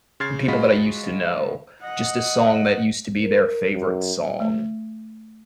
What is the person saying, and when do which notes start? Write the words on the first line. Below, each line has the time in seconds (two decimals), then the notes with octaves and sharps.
people that I used to know, just a song that used to be their favorite song,
0.20 C#3 C6 F6 G#6 A6 C7
0.48 G#3 F4 F#4 D#5 B5 B6
1.82 D#5 F#5
3.22 A#4
3.70 F#2
4.40 A3